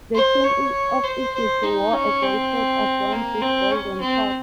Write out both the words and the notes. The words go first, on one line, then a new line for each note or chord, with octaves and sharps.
The queen of Egypt wore a bracelet adorned with golden hawks.
C5
C#5
C5
C5
D#4
C#4
C4
A#3
C4
C#4
C4